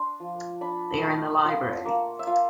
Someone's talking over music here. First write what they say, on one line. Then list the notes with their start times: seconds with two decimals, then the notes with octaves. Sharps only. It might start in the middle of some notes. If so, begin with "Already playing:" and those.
They are in the library.
Already playing: D4 C6
0.20 F3
0.61 D4 B5
1.03 A3
1.44 F4 F#5
1.85 A#3
2.19 E5
2.27 F4 F5